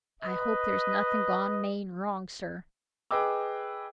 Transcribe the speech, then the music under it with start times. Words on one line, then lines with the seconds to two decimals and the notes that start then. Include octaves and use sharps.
I hope there's nothing gone main wrong, sir.
0.23 B4 D#5
3.11 G#4 B4 D#5 G5 D6 E6